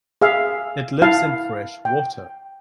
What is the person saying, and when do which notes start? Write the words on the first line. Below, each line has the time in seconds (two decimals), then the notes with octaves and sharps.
It lives in fresh water.
0.22 G#4 E5 F5
1.02 E4 F5 A5
1.85 G5